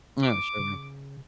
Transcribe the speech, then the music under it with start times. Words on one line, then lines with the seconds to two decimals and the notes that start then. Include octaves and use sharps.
Oh, sure.
0.23 D6
0.59 C#3